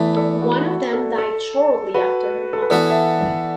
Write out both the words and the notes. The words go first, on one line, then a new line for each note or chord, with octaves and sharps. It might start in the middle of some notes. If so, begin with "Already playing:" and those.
One of them died shortly after her mother.
Already playing: E2 E3 A3 E5 A5 B5
A4 D5
F#4
F#4
A4
A4
F#4 B4
A4
B4
E3 B3 F#4 A4 D5
E5 A5